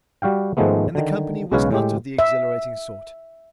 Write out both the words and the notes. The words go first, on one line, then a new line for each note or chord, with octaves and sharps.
And the company was not of the exhilarating sort.
G3 F#4 F5 G5
G#2 D#3 F3 G#3 A3 B3
D3 D#3
B1 C#3 G#3 B4 C#5 F5
A2 G#3 G4
E5